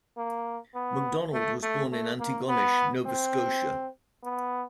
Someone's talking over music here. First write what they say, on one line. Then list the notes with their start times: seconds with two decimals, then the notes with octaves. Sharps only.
MacDonald was born in Antigonish, Nova Scotia.
0.18 A#3
0.75 B3
1.33 A3
1.63 A3
1.92 A3
2.20 A#3
2.49 B3
3.06 C4
4.23 B3